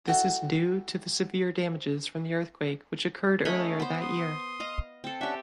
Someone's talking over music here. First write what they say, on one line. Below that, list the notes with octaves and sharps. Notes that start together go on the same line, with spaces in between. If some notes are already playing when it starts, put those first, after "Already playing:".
This is due to severe damages from the earthquake which occurred earlier that year.
E4 F#4 A4 F#5 G5
A3 C#4 C#5 D#5 B5
B3 C5
C6 D#6
D#5 F5
C4 A4
C#4 D4 G4 E5 F#5